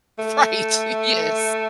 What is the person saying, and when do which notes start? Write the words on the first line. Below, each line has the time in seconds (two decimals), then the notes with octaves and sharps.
Right, yes.
0.19 A3